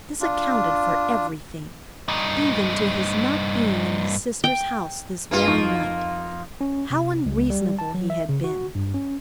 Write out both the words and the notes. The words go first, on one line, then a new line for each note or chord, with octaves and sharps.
This accounted for everything, even to his not being in his sister's house this very night. How unreasonable he had been!
D4 F4
G2 D#4
G5
G2 A#3 F4 B4 F6
F2 D#4 C#6
C#4
C3
C#2
G3
A5
F#3
E5
C#3
F#4
G2
C#4